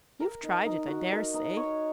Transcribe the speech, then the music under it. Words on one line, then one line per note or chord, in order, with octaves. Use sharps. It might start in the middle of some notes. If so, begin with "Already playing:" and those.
You've tried it, I dare say.'
A#4
D#4
D#4
F#4
A#4
D#4
C#5